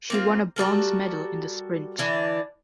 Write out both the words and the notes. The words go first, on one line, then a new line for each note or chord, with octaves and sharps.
She won a bronze medal in the sprint.
A#3 C4 F4
G3 F#4 A4 A#4
D3 E3 D4